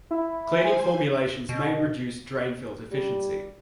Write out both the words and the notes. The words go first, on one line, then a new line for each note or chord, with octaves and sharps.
Cleaning formulations may reduce drain field efficiency.
E4
C5 G#5
B2
G3